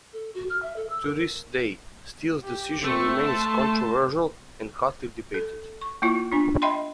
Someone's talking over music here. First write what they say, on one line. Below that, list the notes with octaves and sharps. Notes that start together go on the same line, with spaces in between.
To this day, Steele's decision remains controversial and hotly debated.
A4
F#4
F6
E5
A4
E6
A#4
G4
A3 C4 C#6
A5 C6
A4
C#6
A#3 E4 F4
B3 D4 F4
D#5 E5 G5 B5 C6